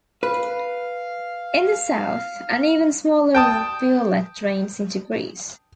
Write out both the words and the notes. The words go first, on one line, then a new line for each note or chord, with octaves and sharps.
In the south, an even smaller rivulet drains into Greece.
B4 F5
G5 A5 D#6